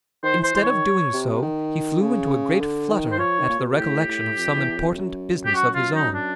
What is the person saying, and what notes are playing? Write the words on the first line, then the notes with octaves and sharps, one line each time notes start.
Instead of doing so, he flew into a great flutter at the recollection of some important business of his own.
D#3 C5
E3 C5
E3 C5
D#3 C#5
C3
D#3
C#3
D3
D#3
C5
F3 C#5
D#3
A#2
B2
A2 G4
A2
F2
E2
F2
F#2
G4
F#4
F4
D#4
D4